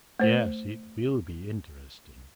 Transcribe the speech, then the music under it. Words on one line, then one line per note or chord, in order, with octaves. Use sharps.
"Yes, it will be interesting."
A3 C5